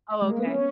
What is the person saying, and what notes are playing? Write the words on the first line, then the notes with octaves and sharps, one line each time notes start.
Oh, okay.
G#3
A#3
B3
C#4